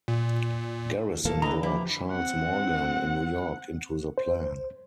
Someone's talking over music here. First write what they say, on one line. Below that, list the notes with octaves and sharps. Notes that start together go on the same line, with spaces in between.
Garrison brought Charles Morgan in New York into the plan.
A#2
D#1 F3 A#3 A4 F5 A5
D3 E3 B4 D#5 A#5
F3 E4 G4
C4 F#5
C5